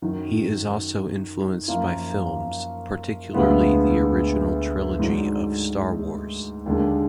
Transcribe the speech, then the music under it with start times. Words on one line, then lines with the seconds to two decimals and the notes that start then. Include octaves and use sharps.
He is also influenced by films, particularly the original trilogy of "Star Wars".
0.02 F#2 D#3 F#3
1.68 F#2 F3 A#3 F4
3.33 D2 D3 G#3 B3 F4
4.99 G#2 D#3 F#3 D4 F#4
6.66 D#2 D3 G#3